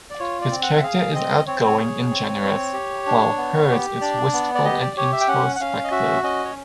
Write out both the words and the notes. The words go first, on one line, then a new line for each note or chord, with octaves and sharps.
His character is outgoing and generous, while hers is wistful and intospective.
D5
F4 C#5
D5
C4
F#5
E5
G#4 F5
C4 D#5
C4 C#5
C5
C#5
G#4
C4
C4
G4
D4
B3
G4
D4 D5
B3
D5
G4 D#5
D5
G4 C#5
E5
G5
C#4 F#5
F#5
C#4 F5
D#5
F#4 E5
C#4 D#5
C#5